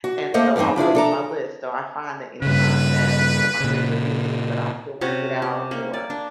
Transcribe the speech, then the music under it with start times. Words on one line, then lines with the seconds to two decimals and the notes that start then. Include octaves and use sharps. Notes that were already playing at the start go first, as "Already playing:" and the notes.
and, so, I'll go to my list. So I find that anytime that, you know, my friends are busy, but I still wanna get out, or
0.04 F#4
0.34 A3 A#3 A4 C5 D#5
0.56 E2 G2 B3 C4 D#4
0.76 F3 D4 E4 G#4
0.95 D4 A4 A#5
2.42 G2 C#3 B4
3.60 A#2 C#3
5.01 C3 C#4 F#4
5.42 G4
5.71 A#3 C#4
5.94 D5
6.10 D4